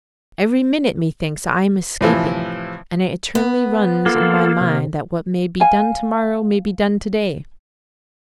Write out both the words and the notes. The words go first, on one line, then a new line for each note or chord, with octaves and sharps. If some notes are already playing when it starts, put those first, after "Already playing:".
Every minute, methinks, I am escaping, and it eternally runs in my mind, that what may be done to-morrow, may be done to-day.
A2 C3 E3 F3
B3
A#3 F4 A4
C3
F5 G#5